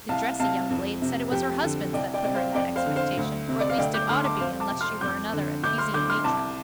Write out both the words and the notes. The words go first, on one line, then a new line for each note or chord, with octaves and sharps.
The dressy young blade said it was her husband's that put her in that expectation or at least it ought to be unless she were another Ephesian matron.
C2 F5 A5
C3 F5 A5
F2
C3
F2 G4
D3 A4
C2 D5 G5
D5 G5
C3 D5
C5 F5
F2 D5 G5
C5 F5
D3
C5 F5
D2
C3
D5
F5
D2 D5 G5
D6 G6
D3 C6 F6
A5 D6
F2 C5 F5
A5 D6
C3
C6 F6
F2 D6 G6
D3
D2 D6 G6
C6 F6
D3 D6 G6
C6 F6
C2 A5 D6